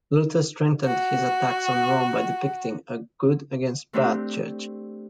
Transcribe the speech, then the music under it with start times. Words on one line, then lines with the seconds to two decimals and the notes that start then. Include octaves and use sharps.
Luther strengthened his attacks on Rome by depicting a "good" against "bad" church.
0.85 F#4 F#5
3.93 A3 C4 D4 G4